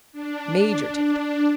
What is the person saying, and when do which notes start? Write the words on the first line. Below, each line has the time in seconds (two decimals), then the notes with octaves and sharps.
"Major Tifto."
0.13 D4
1.04 D4